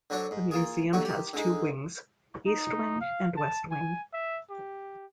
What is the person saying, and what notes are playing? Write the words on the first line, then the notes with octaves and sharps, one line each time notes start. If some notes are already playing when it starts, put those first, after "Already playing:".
The museum has two wings: east wing and west wing.
D3 F#3 D4 F#4 C5
G#2
A#3 F4 G#4
D#2 D3 F#3 F#4
D#3 G4
D3 G#3 D#4
D#4
F5
A5
G#5
E5
G4